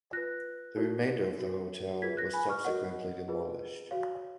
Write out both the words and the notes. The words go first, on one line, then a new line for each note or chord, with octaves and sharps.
The remainder of the hotel was subsequently demolished.
F4 B4 F#6 A#6
D#4 F#4 A#4 C#5
F#4 A#4 C#5
F4 G#4 B4 G#6 B6
F#6 A#6
G#5 B5
C#6 F6
F#4 A#4 C#5 D#5 F#5
F4 G#4 B4
F#4 C#5 F5